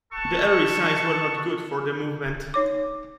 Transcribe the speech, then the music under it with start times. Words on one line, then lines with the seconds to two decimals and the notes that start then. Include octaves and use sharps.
The early signs were not good for the movement.
0.13 A4 F#5 A5 C#6
2.54 D#4 C#5 D6